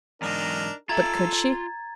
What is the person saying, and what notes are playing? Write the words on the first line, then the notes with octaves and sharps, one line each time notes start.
But could she?
E2 G#2 D4 D#4 A#4
F4 A4 E5 A#5 G#6 A6